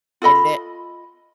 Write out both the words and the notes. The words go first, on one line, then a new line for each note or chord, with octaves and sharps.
Did it?
F4 A4 D#5 B5